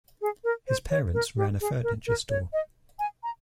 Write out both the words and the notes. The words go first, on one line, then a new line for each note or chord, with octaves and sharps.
His parents ran a furniture store.
G#4
A#4
C5
C#5
A#4
G4
G#4
A#4
A#4
C#5
D#5
G#5
A#5